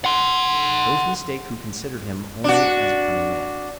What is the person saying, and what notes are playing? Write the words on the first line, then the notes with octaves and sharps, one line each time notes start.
Those mistake who considered him only as a cunning man.
F#5 C6
D4 F#4